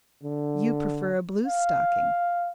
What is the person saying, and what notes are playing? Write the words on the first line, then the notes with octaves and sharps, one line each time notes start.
"You prefer a bluestocking."
D3
F5